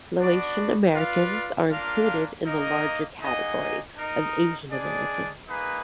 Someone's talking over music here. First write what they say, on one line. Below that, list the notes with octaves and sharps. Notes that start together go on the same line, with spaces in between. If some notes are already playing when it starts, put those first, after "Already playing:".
Laotian Americans are included in the larger category of Asian Americans.
B3 D4 F#4 D5
F4 B4 D5 F5
A#3 D4 F4 A#4 F5
A#3 D#4 A#4 D#5
A#3 D#4 G#4 D#5 F#5
D#4 A#4 D#5
G#3 D4 G#4 D5
A#3 D#4 G#4 B4